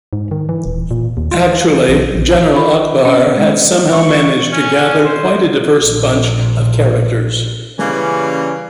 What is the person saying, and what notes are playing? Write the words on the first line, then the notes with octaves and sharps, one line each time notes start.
Actually, General Akbar had somehow managed to gather quite a diverse bunch of characters.
G#2
D#3
E3
D#1
A#2
D#2
F4
E3
E3
B1
A#1
B5
C#4
G#3
C#6
C#4
C5
A#1 A#2
C#3 E3 G3 A#3 C#4